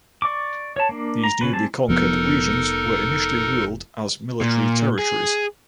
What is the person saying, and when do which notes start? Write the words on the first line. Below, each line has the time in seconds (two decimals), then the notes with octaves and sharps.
These newly conquered regions were initially ruled as military territories.
0.22 D5 C#6 D6
0.76 C#5 A5
0.89 A#3 D4
1.24 A#5
1.41 C#3 B4
1.53 G3 C4 G#4 A5
1.89 F1 F3 B3 D#4 A4 A#4
4.41 A#2
4.99 G#4